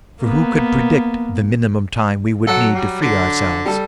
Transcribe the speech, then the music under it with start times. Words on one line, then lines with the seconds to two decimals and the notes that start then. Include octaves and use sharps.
For who could predict the minimum time we would need to free ourselves?
0.21 A#3 B3
2.47 F#3 A4 F#5
2.75 G3
3.02 D3
3.66 G3 A4